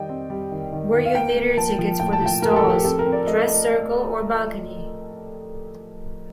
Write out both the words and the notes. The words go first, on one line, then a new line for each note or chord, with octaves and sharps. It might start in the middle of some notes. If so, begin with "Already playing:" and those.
Were your theatre tickets for the stalls, dress circle or balcony?
Already playing: D#3 G3 D5 D#5 G5
C4
G3
D#3
D#3
D#3
F5
A#3 G5
A#3
F3 A5
F3
A2 G5
A5
F3 G5
A2 A#4
G4
A4
F3
G4
C4 A4
A#4
C4
D5
A3 D#5